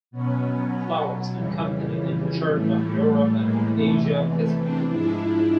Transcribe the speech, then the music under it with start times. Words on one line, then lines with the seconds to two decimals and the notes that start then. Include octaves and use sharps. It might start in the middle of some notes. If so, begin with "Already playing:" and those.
Flowers and Company in charge of Europe and Asia Pacific.
0.11 B2 F#3 B3 C#4
1.31 F2 C#3 E3 G3
2.50 A2 E3 G3 A3
3.10 A3
3.39 G#3 A#3
3.69 E2 C3 E3 A3
3.99 G#3
4.29 A3
4.59 C4 D4
4.88 G#2 F3 G#3 D4 E4